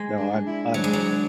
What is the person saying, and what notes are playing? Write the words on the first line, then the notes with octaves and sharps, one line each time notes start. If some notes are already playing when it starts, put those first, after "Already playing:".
No, I'm I'm
Already playing: G#3
D4
E4
F#3 D4
G#3
F#3